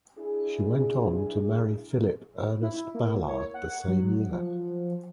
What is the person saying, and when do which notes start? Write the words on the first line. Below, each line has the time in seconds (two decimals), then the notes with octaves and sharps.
She went on to marry Philip Ernest Ballard the same year.
0.18 D4 E4 G#4
2.62 E4
2.95 A#3
3.28 C#5
3.54 F#5
3.88 F#3
4.32 F3